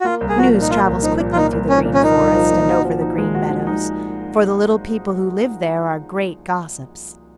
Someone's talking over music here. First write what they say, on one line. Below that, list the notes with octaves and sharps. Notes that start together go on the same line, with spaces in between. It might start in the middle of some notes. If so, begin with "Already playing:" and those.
News travels quickly through the Green Forest and over the Green Meadows, for the little people who live there are great gossips.
F#4
A#3 F4
C2
G#4
F3 F#4
A#2
D#4
A#3 F4
C2
F3 D#4
A#2
F4
A#3 D#4
C2
F3 C#4
A#2
C#4
A#3 D#4
C2
F3
A#2
F#4
F3
D#4
G#3
F#4
F3
D#4